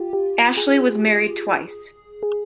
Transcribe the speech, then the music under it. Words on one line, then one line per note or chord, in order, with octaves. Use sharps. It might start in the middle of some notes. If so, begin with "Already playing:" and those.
Ashley was married twice.
Already playing: F4 G4
G4
G#4
G#4